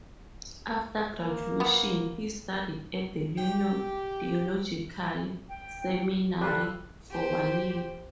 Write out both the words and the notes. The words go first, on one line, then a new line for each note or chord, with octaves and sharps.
After graduation, he studied at the Union Theological Seminary for one year.
A#3
B3
G4 G5
G5
G3 F4 A4 F#6
G4 C5